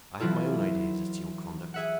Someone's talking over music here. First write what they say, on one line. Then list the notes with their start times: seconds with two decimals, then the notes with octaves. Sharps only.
"I have my own ideas as to your conduct."
0.20 E3 F#3 E4 F4 A4
1.74 G#4 E5 F#5